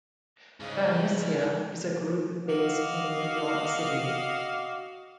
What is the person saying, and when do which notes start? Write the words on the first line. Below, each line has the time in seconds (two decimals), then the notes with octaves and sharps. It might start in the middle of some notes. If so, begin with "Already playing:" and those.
Dionycia is a group based in New York City.
0.60 G#2 C#3
2.48 F#4 D5 D#5 F5